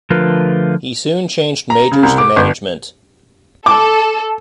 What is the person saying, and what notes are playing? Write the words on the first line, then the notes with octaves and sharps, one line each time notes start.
He soon changed majors to management.
D3 F3 A3 F4 A#4 B4
A#5
C#3
C2
D6
G1
A4 D6